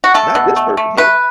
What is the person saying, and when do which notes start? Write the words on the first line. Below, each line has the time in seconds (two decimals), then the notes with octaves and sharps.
Not this person here.
0.04 F#4
0.14 A3 A4
0.35 B2
0.56 A3
0.77 A3
0.97 A3 B4